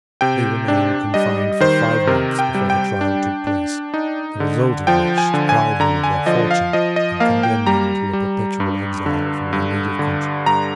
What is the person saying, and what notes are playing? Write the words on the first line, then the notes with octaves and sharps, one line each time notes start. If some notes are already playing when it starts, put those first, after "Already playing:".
They remained confined for five months before the trial took place, the result of which deprived them of their fortune and condemned them to a perpetual exile from their native country.
C3 G5
D4
G3 D#5
D#3 C5
C3 A#4
G5
G3
G5
D4
D4
D#4
D3
F3 G5
G#5
D3
G#5
D3 A#5
G#5
F3 D#5
F5
F3 D#5
D#5
A#3 F5
G5
G3 A#5
G3
G2
D3
G2
D3
G2 A#5